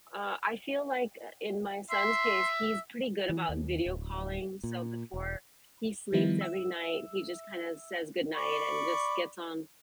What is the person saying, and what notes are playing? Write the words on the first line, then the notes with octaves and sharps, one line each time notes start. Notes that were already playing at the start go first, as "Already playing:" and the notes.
uh, I feel like, uh, in my son's case, he's pretty good about video calling, so before he sleeps every night, he just kinda says goodnight and just gets on
E5 C6
E3
D#2
D1
A#2
E1
D#3 F3 G3 B3 D#4 E4
E5 E6
D5 B5 C#6